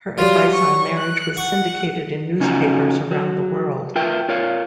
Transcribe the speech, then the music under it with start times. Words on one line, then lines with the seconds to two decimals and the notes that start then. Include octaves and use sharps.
Her advice on marriage was syndicated in newspapers around the world.
0.18 F#3 G3 F4
0.53 C#6
0.98 F#6
1.37 F#5 C#6
2.40 C#3 C#4 D#4 F4 F#4 A#5
3.11 F#3
3.96 F4 A#4 B4 E5 G5
4.29 F4 A#4 C#5 D5 F5